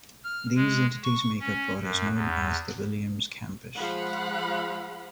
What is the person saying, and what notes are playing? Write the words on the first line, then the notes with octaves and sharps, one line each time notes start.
These entities make up what is known as the Williams Campus.
F6
G#3
C#6
C#4
F#2
E2
F3 G#3 F5 F#5 B5